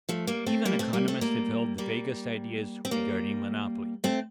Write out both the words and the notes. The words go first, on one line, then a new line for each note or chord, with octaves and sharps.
Even economists have held the vaguest ideas regarding monopoly.
F3 A3
G3 A#3
A3 C4
G3 A#3
A3 C4
G3 A#3
A3 C4
G3 A#3
G3 A#3
C4
G3 A#3
A3 C4